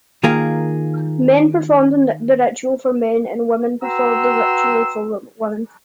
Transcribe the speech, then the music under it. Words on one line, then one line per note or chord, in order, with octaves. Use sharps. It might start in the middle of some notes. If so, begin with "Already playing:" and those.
Men performed the ritual for men, and women performed the ritual for women.
D#3 A#3 F4 G#4 A#4
F#4 B4 G5 A#5 C6 E6